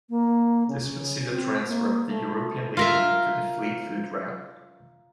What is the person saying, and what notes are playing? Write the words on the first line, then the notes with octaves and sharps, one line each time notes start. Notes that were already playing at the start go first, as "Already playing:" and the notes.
This would see the transfer of the "European Leader" to the Fleetwood route.
A#3
C#3
C4
A#3
A3
F4 A#4 E5